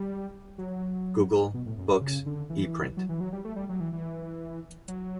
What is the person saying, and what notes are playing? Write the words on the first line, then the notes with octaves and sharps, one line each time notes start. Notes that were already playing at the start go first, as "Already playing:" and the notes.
"Google Books" Eprint.
Already playing: G3
F#3
B2
A2
F#2
F#2
C#3
D3
E3
F#3
E3
F#3
G3
A3
G3
F#3
E3
E3
F#3